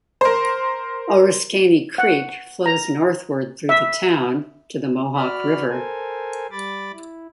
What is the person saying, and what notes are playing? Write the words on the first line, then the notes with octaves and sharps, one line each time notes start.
Oriskany Creek flows northward through the town to the Mohawk River.
A#4 C5
F#5
A#5
E5
F#4 D5 B5 F6
A4 A#4 C5 G#5
G3 B5 D6 A6
E4